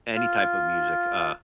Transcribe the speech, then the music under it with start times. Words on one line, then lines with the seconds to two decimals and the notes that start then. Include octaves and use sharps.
any type of music. Uh,
0.15 F4